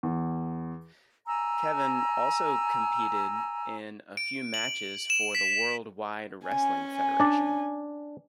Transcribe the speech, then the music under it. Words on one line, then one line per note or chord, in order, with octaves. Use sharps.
Kevin also competed in a few matches for the World Wide Wrestling Federation.
E2
G#5 A#5 E6
D7
F#7
E7
B6
C#4 G#5
D4 D5